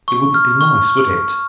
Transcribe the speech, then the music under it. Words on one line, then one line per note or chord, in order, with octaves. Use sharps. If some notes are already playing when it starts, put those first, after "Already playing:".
It wouldn't be nice, would it?
C#6
F6
C#6